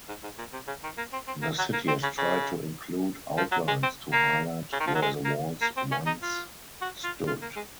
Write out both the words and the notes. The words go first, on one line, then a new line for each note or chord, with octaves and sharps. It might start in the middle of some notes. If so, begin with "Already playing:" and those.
The city has tried to include outlines to highlight where the walls once stood.
G#2
G#2
A#2
C3
C#3
D#3
A#3
C4
C4
A#3
F#3
A#3
C4
C#3
C#3
F3
F#3
G#3
C4
A#3
C#3
D#3
F3
F#3
G#3
A#3
A#3
C4
C#4
D#4
F4
F#4
F4
F4
A#3
G#3